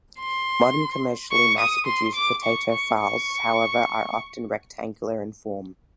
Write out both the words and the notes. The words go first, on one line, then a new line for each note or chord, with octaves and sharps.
Modern commercially mass-produced potato farls, however, are often rectangular in form.
C6
C#6
D#6
C6
D6
C#6
C#6
C#6